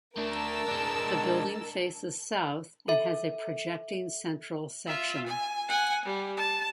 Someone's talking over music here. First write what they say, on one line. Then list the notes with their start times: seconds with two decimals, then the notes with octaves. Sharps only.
The building faces south, and has a projecting central section.
0.17 A3 D4 A#4 A5 E6
0.68 G#3 D4
2.88 A4 E5
4.87 F4 E5
5.27 G#5
5.69 F#5 G#5
6.05 G3
6.37 A5